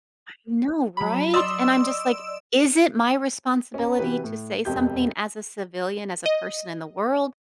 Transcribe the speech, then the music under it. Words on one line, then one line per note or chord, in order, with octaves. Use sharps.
I know right, and I'm just like, is it my responsibility to say something as a civilian, as a person in the world,
F#3 B5
D5 D#5 C6 E6 E7
C#4 A#5
C3 E3 F#4 G4 B4
A2
E1 F2 G4 G6
D#5